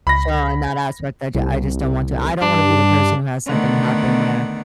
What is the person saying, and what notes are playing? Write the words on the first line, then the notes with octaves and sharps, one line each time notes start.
so, in that aspect, I j I just don't want to I don't wanna be the person who has something happen where,
C#2 B5 A#6
C2
G2 D4
D3 D#3 A3 B3 D5 F#5